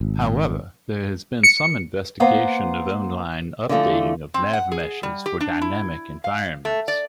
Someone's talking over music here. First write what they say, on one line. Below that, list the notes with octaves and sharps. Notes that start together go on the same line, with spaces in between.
However, there has been some investigation of online updating of navmeshes for dynamic environments.
G#1
C#7
A#3 B3 B4 C5 A#5
D3 E3 F3 A3
C4
F#5
G#4
G3
G4
D4
E4
F5
A3
D5